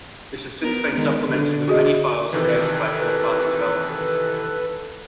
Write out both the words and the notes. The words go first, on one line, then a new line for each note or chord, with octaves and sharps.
This has since been supplemented with many files created by third party developers.
B3 A#4
D#3 G#3 B3
D3
F#4 G#4 D#5
C3 D#3 E3 A4 B4